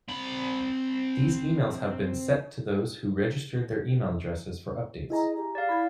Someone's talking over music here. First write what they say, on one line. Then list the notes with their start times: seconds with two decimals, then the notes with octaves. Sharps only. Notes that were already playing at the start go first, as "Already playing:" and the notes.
These emails have been set to those who registered their email addresses for updates.
0.08 C4 B5
5.10 E4 G#4 D#5 A#5
5.36 G4
5.55 D5 F5
5.69 E4 B5 G#6